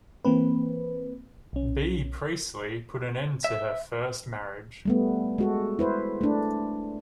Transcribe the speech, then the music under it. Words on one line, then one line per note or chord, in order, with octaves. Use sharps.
B. Priestley, put an end to her first marriage.
E3 A#3 C4 B4
B1 C#4
E5
G3 A3 B3
G#3 F#4 A4
E4 B4 C5
A3 D4